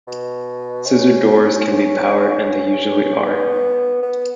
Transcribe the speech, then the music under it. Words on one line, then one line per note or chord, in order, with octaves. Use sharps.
Scissor doors can be powered and they usually are.
B2
C#4
B3
B3